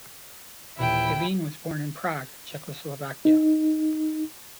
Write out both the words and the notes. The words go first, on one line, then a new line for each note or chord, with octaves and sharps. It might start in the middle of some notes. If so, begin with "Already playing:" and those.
Bellin was born in Prague, Czechoslovakia.
D#1 E3 E4 G5
D#4